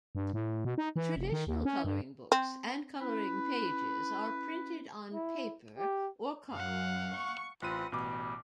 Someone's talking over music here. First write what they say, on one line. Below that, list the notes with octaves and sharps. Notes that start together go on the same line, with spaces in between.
Traditional coloring books and coloring pages are printed on paper or card.
G2
A2
B2
D#4
E3
F1
D#3
D#2
C#4
G2
C4
C#4 E4 B4
E4
G4
F#2 F5 F#5
C#6
A1 C4 F4 B4 F#5 D#7
A1 B2 G3 D6